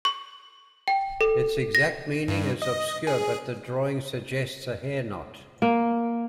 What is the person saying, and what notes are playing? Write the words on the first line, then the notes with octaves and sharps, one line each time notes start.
Its exact meaning is obscure but the drawing suggests a hair knot.
C#6
G5
A4
A#6
G2
D#5
G#4
A#3